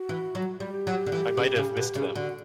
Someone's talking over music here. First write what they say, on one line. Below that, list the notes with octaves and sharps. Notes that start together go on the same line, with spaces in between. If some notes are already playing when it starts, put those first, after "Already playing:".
I might have missed them.
Already playing: F#4
E3
F#3
G3 G4
F#3
D3
E3
C#3
C#3
B2
C#3
D3 F#4